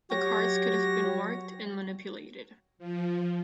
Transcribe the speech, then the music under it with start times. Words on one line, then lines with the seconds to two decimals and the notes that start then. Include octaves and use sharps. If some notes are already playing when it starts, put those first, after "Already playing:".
The cards could have been marked and manipulated.
0.11 F#3 F#4 G4 C#5 A#6
2.78 F3